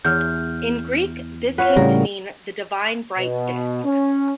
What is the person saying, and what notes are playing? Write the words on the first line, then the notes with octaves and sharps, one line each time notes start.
In Greek this came to mean the divine bright disk.
E2 F6 G6
F4 B4 C#5 F5 F#5
A2 C#3 G3 A#4
B2
C#4